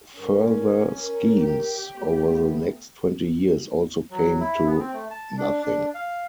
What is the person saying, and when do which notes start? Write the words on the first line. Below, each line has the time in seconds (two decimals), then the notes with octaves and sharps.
Further schemes over the next twenty years also came to nothing.
0.18 G2 C#4 A#4
0.99 A#4
1.37 G4
1.96 A3 B3
4.11 F#3
4.40 E4
4.66 B3
4.79 C4
4.93 A3
5.11 A5
5.38 D4
5.61 D4
5.94 F5